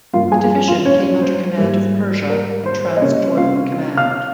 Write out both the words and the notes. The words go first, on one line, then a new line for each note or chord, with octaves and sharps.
The division came under command of Persia and Transjordan Command.
G2 F3 A#3 F4 F5
G#4 G#5
F4 F5
C#4 C#5
C5
G#2 G3 A#3
A#4
C5
D#5
C3 G3 A#3 C#4 C#5
F4 F5
F5 F6